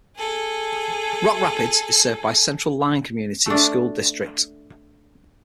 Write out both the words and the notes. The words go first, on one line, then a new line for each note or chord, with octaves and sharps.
Rock Rapids is served by the Central Lyon Community School District.
G#4 A4
A3 D4